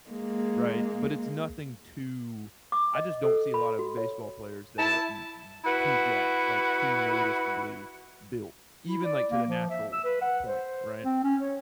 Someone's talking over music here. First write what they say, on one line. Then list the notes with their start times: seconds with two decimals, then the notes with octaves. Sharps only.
right? But it's nothing too I just don't see a lotta baseball players that are m m too jacked, like, too noticeably built, even, like, to the natural point, right?
0.11 G#3 A#3
2.72 D6
2.95 D#5
3.24 A4
3.54 B5
3.79 F#4
3.97 C#5
4.79 E4 A5
5.64 E4 F#4 B4
8.86 E4
9.04 D5
9.31 A#3
9.47 F3
9.70 E5
9.93 E6
10.04 B4
10.22 F#5
10.46 C5
11.04 C4
11.24 C#4
11.41 C#5